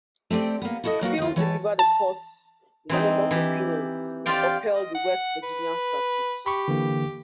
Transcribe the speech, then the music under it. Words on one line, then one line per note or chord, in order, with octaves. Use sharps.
Field delivered the Court's unanimous opinion which upheld the West Virginia statute.
A3 C4 G4 D5
A#3 B3
E4 F#4 A4 D5 D#5
F#3 A#3 B3 F#4
D#2 F4
E3 C#5 G#5 A5
A5
E3 C4 D#4
E3 G4
F4 G4 C5 D5 F5 G5
D#5
F#5
B4
G4 B5 C#6
D3 E3 A#3